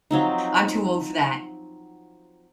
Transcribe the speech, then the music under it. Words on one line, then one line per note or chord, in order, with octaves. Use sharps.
I'm too old for that.
F3 F#3 C4 D#4